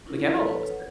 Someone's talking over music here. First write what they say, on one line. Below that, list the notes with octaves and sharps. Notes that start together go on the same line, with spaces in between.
The camo almost did.
C#4 D4 E4 F4 A#4
A4 B4 C#5
F#5